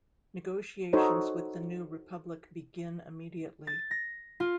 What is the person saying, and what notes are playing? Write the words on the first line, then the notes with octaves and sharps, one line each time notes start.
Negotiations with the New Republic begin immediately.
D#4 F#4 A4 C5 C#5
A6
A#6
F4